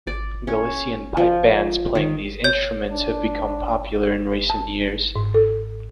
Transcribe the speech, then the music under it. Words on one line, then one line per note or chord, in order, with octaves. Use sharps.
Galician pipe bands playing these instruments have become popular in recent years.
D5
C#4
F3
D#3
C#5 G6
D4
A5
G#2
A4